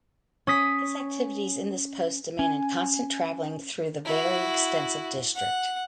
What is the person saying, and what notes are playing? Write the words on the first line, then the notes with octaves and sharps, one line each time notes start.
His activities in this post demanded constant travelling through the very extensive district.
C#4 D#6 B6
C#4 G#5
E4 F#4
F#5